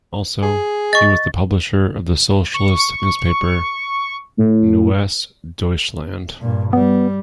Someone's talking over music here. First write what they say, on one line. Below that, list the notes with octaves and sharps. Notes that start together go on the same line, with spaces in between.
Also, he was the Publisher of the socialist newspaper "Neues Deutschland".
G#4
D#5 C#6 A6
C#6
A2
G2 A#2
G3 B3